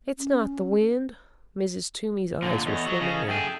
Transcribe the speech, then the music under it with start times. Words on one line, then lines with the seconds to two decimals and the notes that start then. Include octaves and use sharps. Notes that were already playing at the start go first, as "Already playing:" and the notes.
"It's not the wind." Mrs. Toomey's eyes were swimming now.
0.18 C#4
2.42 A#2 D3
2.66 E2 A4 C#5 D#5
2.86 F#3
3.01 C#3
3.28 F#2 G#4 A4 E5 G5